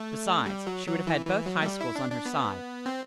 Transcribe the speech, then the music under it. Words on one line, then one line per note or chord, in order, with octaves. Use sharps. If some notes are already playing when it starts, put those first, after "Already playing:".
Besides, she would have had both High Schools on her side.
Already playing: A3
G3
F#3
F#3
E3
E3
F#3
A3
G3
E4
D4
D4
B3
C4